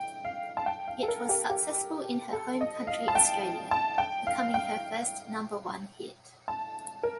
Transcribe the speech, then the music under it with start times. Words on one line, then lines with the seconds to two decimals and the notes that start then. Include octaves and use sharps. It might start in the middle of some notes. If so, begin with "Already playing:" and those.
It was successful in her home country Australia, becoming her first number-one hit.
Already playing: G5
0.25 F5
0.57 A5
0.66 G5
0.88 F5
1.03 A4
1.08 A#4
1.29 G4
1.50 G4
2.33 A4
2.61 D#5
2.87 F5
3.08 A5
3.15 G5
3.71 A5
3.98 G5
4.27 F5
4.54 G5
6.48 A5
7.03 A#4